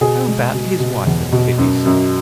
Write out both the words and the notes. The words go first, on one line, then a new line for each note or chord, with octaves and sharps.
How about his wife and kiddies?
B2 G#4
G#3
B2
B2
E2
B2
F#2
F#2